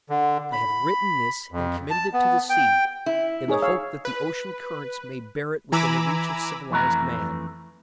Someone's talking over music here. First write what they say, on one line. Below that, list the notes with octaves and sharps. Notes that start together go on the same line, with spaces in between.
I have written this and committed it to the sea, in the hope that the ocean currents may bear it within the reach of civilized man.
D3
B5
F2
A5
B3
G5
E4
D#4 G#4 C#5
C#5 F5 E6
B4
E3 G#5 A#5 B5 D6 E6
F2 E3 A3 B4 A#5